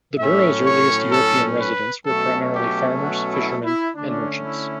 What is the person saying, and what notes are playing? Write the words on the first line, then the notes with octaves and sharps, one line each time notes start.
The borough's earliest European residents were primarily farmers, fishermen and merchants.
A2 F#3 C#4 E5
C#5
A4
B4
B2 F#3 A3 C#4 A4
G4
F#4
E4
E4
D3 A3 C#4 D4
E4